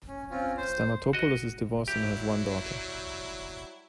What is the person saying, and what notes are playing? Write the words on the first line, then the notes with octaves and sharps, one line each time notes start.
Stamatopoulos is divorced and has one daughter.
C#4
C4 C#4 F4
C5
F#4 D#5
F#3 G3 E4 G4